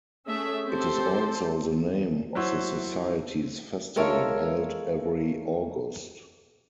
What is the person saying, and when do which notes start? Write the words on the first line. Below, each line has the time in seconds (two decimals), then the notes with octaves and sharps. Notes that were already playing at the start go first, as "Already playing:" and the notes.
It is also the name of the society's festival, held every August.
0.25 A3 C#4 G#4 E5
0.67 C4 G4 A4 C5
2.35 F#3 E4 C5 C#5 F#5
3.96 G#3 A4 A#4 C#5 E5 F5